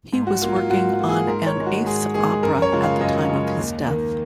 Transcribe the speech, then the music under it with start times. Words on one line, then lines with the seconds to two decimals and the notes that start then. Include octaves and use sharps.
He was working on an eighth opera at the time of his death.
0.13 G#2
0.27 F#4
0.42 F#3 A#3 F4
0.56 F4
0.70 G#2 F#4
1.00 F#3 A#3
1.08 G#4
1.28 G#2 A#4
1.47 C#5
1.57 D#3 G#3
1.66 F#4
1.85 G#2 G#4
2.14 D#3 G#3 G#4
2.43 F#2 A#4
2.62 C#5
2.72 C#3 F3 G#3
2.82 F5
3.01 F#2 D#5
3.29 C#3 F3 G#3
3.59 D#2
3.87 D#3 A#3